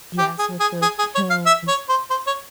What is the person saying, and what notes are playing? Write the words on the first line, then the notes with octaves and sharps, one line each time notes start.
Yes, with the hills,
G4
G#4
G#4
G#4
G#4
C#5
F5
E5
C#5
C5
C5
C#5